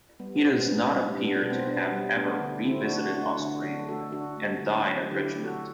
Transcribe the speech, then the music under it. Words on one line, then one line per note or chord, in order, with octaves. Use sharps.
He does not appear to have ever revisited Australia, and died at Richmond.
G3 B3
C4
B2
B3
B2 B3 D4
G3
G3 B3 D4
B3 D4
B2
C4
B2 B3 D4
G3
A3 B3 D4
D3
D3 C4 E4
D4 F#4
A3
D4 F#4
A3 D4 F#4
D3
D3 D4 F#4
A3 F#4 A4
D3 D4 F#4
A3
D3
F#3
D3 E4 G4
A3
F#4 A4